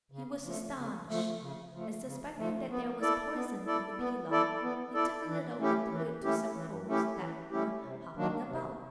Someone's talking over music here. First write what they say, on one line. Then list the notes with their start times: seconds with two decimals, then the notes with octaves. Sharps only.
He was astonished, and suspecting that there was poison in the pilaw, he took a little and threw it to some crows that were hopping about.
0.12 C#3
0.44 F3 A3
0.76 C#3
1.09 F3 A3
1.41 C#3
1.73 F3 A3
2.05 C#3
2.37 F3 A3
2.70 B3
3.01 E4 A4 D5
3.34 B3
3.66 E4 A4 D5
3.98 B3
4.30 E4 A4 D5
4.62 B3
4.94 E4 A4 D5
5.27 E3
5.59 A3 C#4 E4 G4
5.91 E3
6.23 A3 C#4 E4 G4
6.55 E3
6.87 A3 C#4 E4 G4
7.20 E3
7.51 A3 C#4 E4 G4
7.84 C3
8.16 D#3 F#3 A#3 D4
8.48 C3